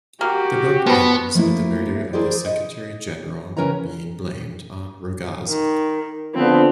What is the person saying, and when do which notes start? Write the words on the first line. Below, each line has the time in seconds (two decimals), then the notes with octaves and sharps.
The book ends with the murder of the Secretary-General being blamed on Rogas.
0.21 A#3 F#4 G4
0.86 B2 F3 B3
1.35 F3 A3 A#3 E4
2.13 E4 G#4 A#4 C5 D5
2.46 D#5
3.57 C#3 C#4 A#4 B4 C#5 A#5
5.49 D#3
6.35 D3 F3 B3 C4